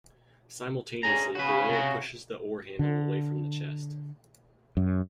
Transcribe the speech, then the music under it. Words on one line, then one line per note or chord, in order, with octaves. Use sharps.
Simultaneously, the rower pushes the oar handle away from the chest.
D2 C#4 G#4 A#5
C#3 F#4 B4
C3 F#4
D3
F#2